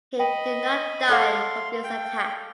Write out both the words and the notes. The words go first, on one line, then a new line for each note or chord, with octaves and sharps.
He did not die from this attack.
D#5 G5 B5
A4 C#5 F5 F#5 C6
G5